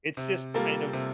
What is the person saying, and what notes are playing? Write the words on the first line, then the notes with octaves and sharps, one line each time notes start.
it's just kind of
C3
G3 A#3 F4 A4
C3